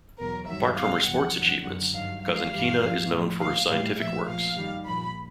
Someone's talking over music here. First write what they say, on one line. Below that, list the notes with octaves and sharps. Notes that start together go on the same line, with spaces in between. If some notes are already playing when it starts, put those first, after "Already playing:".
Apart from her sports achievements, Kazankina is known for her scientific works.
E2 B2 F#3 A#4
G2 D#3 F#3 E5
B2 G3 F5
E2 C3 F3 F#5
F2 D3 F#3
F#2 D3 F#3
G2 D#3 F#3 F5
G#2 F3 F5
G2 E3 G3
G#2 F3
A2 F3
A#2 F3 F5
A2 E3 G3 F5
A#2 F3 E5
A#2 F3 F5
F#2 D#3 G3
A#2 F3 B5